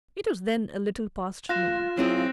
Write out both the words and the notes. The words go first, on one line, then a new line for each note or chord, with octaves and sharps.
It was then a little past noon.
F4 F5 F#6 A#6 E7
F#3 C4 E4 G#4